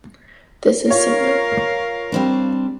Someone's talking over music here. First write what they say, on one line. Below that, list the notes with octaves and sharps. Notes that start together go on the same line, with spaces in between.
This is similar.
F4 A#4 C#5 F5
G3 C4 D4